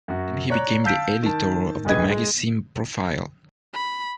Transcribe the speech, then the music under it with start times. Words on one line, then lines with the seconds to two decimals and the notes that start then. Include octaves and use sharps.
Then he became the editor of the magazine "Profile".
0.08 F#2 F#3 F#4
0.50 C#5 D5 A#5 F#6
0.84 F5 A5 E6 G6 B6 D7
1.23 D#3 A5
1.85 D1 A#1 G#4 B4 D#5 G#6
2.10 G#3
3.73 B5